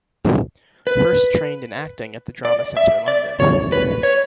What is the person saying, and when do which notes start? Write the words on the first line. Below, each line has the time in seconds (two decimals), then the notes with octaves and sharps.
Hirst trained in acting at the Drama Centre London.
0.87 B4
2.45 D5
2.77 E5
3.08 D5
3.40 C#5
3.72 B4
4.03 C#5